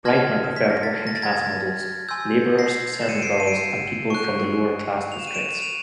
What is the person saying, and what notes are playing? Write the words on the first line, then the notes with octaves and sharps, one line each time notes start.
Breitner preferred working-class models: labourers, servant girls and people from the lower class districts.
A5 C6 F6 G#6 A#6
B6
A#6
A6 B6
A#6
A6
G#6 A#6
G#5 C6 E6 G6
A#6 C7
E7
C#7 D#7
C7 D7
D#7
C7 D7
C#6 F#6
F7
E7
D#7
D7 E7
D#7 F7